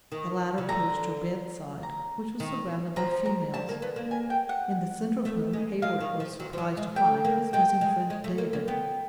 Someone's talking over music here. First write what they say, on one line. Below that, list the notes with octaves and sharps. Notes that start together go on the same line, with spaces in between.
The latter approached her bedside, which was surrounded by females, in the center of whom Heyward was surprised to find his missing friend David.
D#3
C#3
D3 A#5
A#5
D#3
F3 A#5
A#5
G3 A5
A#3
B3
A#3
G#5
G5
F#5
A3
G#3
G#3 F5
D#3
F3
F#3
F3
F#3
G#3
A3 G5
A#3
G#3 G5
G#3
G#3
A3
A#3
A#3
B3 G5